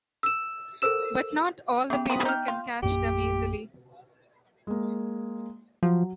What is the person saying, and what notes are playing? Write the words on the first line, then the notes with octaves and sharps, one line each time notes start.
But, not all the people can catch them easily.
E6 E7
A4 A#4 C5 E6 E7
C#3 B3 G4
C#3 F#3 C4 B4 B5 D#6
D#4 G5 F6
F4
A#1 F#2 A#3 G4
G#3 A#3
F3 F#3